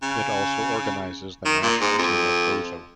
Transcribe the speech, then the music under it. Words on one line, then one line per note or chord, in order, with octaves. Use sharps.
It also organises the national team of Gozo.
C#3
D#3
A#2
G#2
F2